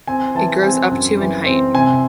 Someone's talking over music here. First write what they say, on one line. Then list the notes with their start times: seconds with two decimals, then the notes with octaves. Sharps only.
It grows up to in height.
0.07 C4 G#5
0.35 E3 A5
0.62 C4 G#5
0.91 F#2
1.19 E3
1.46 C4
1.74 C3 G#5